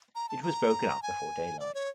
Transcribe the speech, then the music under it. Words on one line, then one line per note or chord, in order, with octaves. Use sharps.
It was broken up before daylight.
A#5
A5
A#5
G#5
D5
C#5